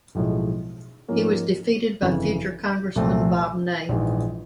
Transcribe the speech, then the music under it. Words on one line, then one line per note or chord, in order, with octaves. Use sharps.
He was defeated by future Congressman Bob Ney.
B1 A2 F3 G#3
G#2 F3 A#3 C#4
G1 F2 C#3 E3
C2 A#2 F3 A3 C4
A#1 G#2 E3